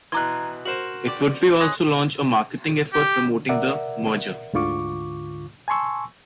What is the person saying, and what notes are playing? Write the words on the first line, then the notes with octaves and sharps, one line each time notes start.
It would also launch a marketing effort promoting the merger.
B2 E3 A#5 C6 D6 F#6 G#6
F#4 A#4 C5 E7 F#7
G4 D5
D#4 G#4 C#5 C6 F#6
G4
A#4 D5 E5 F#5
D2 G#2 D3 F4 C#6 D6
G#5 A5 C6 C#6 E6